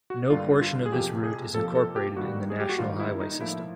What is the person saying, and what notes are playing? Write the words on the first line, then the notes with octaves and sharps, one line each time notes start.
No portion of this route is incorporated in the National Highway System.
F#4
G2 D3 G3 A#3 F4
F4
G#4
F2 C3 F3 A#3 G4
G#4
F2 C3 F3 A#3 A4
A4
G4
G2 D#3 G3 A#3 F#4
G#4
G4
F#4
G2 D#3 G3 A#3 F4
E4
D#4
A2 F3 A#3 E4